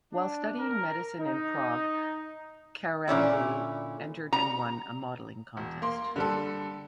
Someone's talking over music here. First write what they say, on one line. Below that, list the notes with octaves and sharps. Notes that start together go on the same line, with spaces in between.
While studying medicine in Prague, Karembeu entered and won a modelling contest.
D4
A#4
D#4
A#2 D3 C#4 E4
A#5
E1
A#3 C6
D3 G3 A4